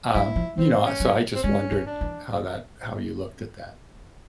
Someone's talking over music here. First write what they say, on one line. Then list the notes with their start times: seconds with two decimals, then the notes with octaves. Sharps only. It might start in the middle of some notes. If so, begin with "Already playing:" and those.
um, you know, I so, I just wondered how that how you looked at that.
0.14 F#3 E4
0.36 F3
0.58 E3 C4
0.86 C#4
1.00 F#3
1.35 C4
1.44 G#3 C#4
1.72 F3
1.86 D4
2.01 E3